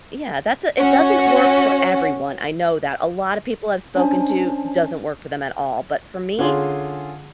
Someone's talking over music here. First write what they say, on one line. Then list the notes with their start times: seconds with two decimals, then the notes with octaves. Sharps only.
Yeah, that's a it doesn't work for everyone, I know that. A lot of people I've spoken to, doesn't work for them at all, but for me,
0.79 C#4 F#4
3.95 C#4 D4 C5 G#5 A5
6.38 D3 C#4 F4 G#4 C6